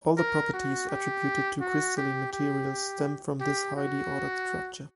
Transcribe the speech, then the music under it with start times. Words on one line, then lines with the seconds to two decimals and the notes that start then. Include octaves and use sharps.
All the properties attributed to crystalline materials stem from this highly ordered structure.
0.17 A#4
0.53 F#4
0.89 G4
1.61 F#4
1.97 G4
2.32 G4
3.40 G4
3.76 F#4